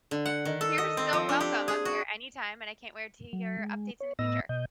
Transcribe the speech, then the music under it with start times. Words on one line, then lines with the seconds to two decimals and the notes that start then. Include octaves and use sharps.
You're so welcome. I'm here anytime, and I can't wait to hear updates in the future.
0.11 D3
0.26 F#5
0.45 D#3
0.61 A4
0.78 D#5
0.97 C4
1.13 F3
1.29 D4
1.40 G4
1.68 G#4
1.85 F#4
3.33 F#3
3.58 G#3
4.00 C#5
4.19 A2 B3 D#5 E6 A#6
4.49 B2 D#5 G6